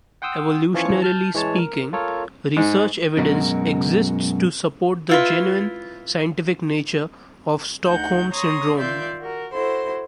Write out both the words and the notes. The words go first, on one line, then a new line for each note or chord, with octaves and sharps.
Evolutionarily speaking, research evidence exists to support the genuine scientific nature of Stockholm syndrome.
F#5 G5 C6 D#6 E6
E3 F3 C#4 F4 C#5 C#7
A5 F6 G6
E3 G#3 C#5 A5
A#4
F4 A4 A#4 C#5
G#2
F#2 B2 G#3 F#4 A#4
E4 F4 B4
D2 D#4 F#5 G6
C#5 A#5 C6 C#6 D#6
D#3 F4 D5 E5 C6 G6
F#4 A#4
E4 F#4 A4 C5 C6